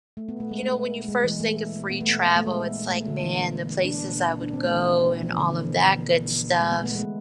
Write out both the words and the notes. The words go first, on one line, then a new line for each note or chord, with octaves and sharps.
you know, when you first think of free travel, it's like, "Man, the places I would go and all of that good stuff,"
A3
B3
A3
G#3
A3
G#3
E3
A3
B3
A3
A3
G#3
A3
D3
E3
D4
D4
C4
A3
E3
F3
D3
E3
G#3
B3
A3
G#3